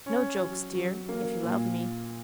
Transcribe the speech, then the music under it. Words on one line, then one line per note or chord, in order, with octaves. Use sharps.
No jokes, dear, if you love me.'
C#4
F#3
F#3
A#3
A#2